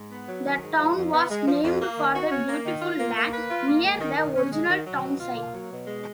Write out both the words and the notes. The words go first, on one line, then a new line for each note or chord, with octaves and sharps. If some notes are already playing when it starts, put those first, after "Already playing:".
The town was named for the "beautiful land" near the original town site.
Already playing: G#2
B3
F#3
D#3
G#2
F3
F2
B3
G#3
F3
F2
A#3
D#3
F#4
C#4
A#3
D#3
F4
A#3
A#3
B4
F4
A#3
G#3
D#3
D#3
C#4
G#3
D#3
F#3
B2
F4
A#3
F#3
B2
G#3